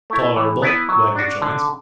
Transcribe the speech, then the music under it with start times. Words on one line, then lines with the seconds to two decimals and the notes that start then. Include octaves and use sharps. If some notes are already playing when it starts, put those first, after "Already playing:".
'Tolerable,' Wegg rejoins.
0.10 A3 E4
0.36 E3
0.62 B3 E4 B4
0.89 F#3
1.15 D4 F#4
1.42 D3